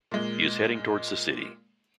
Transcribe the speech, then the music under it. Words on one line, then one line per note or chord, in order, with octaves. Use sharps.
He is heading towards the city.
A#2 G#3